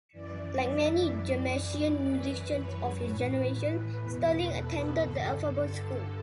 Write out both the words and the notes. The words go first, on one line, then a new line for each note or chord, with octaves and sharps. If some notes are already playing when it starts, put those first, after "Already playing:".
Like many Jamaican musicians of his generation, Sterling attended the Alpha Boys School.
F#2 E3 D5
E5
F#2 E3 D5
F#2 E3 B4
C#5
A2 E3 B4
E2 B2
A4
G2 D3 A4
A4